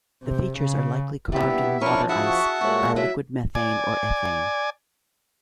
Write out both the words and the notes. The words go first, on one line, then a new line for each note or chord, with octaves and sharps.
The features are likely carved in water ice by liquid methane or ethane.
C3
C#3
G2 A#2 B3 E4 G4 E5
F3 C#4 D4 E4 A#4 C#6
E4 F#4 G#4 E5 F#5 A5 B5
C#6
A#2 G#3 A3 F#4 C#5 C#6
F#3 E4 E5
D5 G#5